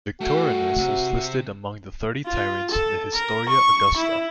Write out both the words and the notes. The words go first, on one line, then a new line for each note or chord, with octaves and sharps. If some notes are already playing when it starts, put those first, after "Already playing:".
Victorinus is listed among the Thirty Tyrants in the "Historia Augusta".
A3 F#4 G5
C3
F4
A4
A#4
C#6
E4